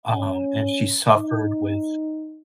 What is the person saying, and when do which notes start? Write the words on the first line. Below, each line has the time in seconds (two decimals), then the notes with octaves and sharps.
um, and she suffered with
0.14 C#4
1.12 D#4